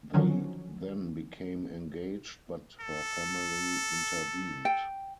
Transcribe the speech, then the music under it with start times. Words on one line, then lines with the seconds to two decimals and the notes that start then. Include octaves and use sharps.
They then became engaged but her family intervened.
0.14 D3 D#3 F3 F#3 C#4
2.81 A4
4.65 G5